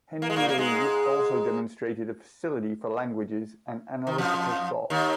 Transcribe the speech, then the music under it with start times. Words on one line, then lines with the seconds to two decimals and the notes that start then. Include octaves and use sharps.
Henry Lea also demonstrated a facility for languages and analytical thought.
0.22 A#3
0.30 G#3
0.36 A#2 A#3
0.49 A#3
0.58 G#2 G#3
4.07 D#3
4.18 F2 F3
4.90 D#2 D#3